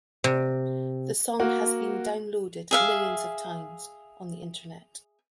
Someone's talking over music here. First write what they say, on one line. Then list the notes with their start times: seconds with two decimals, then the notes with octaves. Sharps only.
The song has been downloaded millions of times on the Internet.
0.24 C3
1.40 A#3 F#4
2.71 G#4 E5 F5